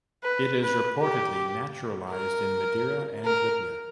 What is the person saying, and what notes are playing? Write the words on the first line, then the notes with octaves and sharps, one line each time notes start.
It is reportedly naturalized in Madeira and Libya.
B4
B4
G4
A#4
A#4